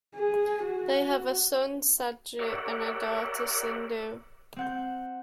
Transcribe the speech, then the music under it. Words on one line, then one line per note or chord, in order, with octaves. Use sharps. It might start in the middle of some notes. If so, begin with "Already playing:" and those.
They have a son Saji and a daughter Sindhu.
G#4
F#4
G4 A#4 C#5 D5 E5 F#5
C4 F#5 G6